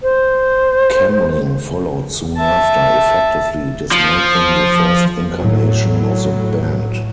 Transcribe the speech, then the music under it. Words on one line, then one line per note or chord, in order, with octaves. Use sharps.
Kemling followed soon after, effectively dismantling the first incarnation of the band.
C5
E5 A5
F3
A2 F#3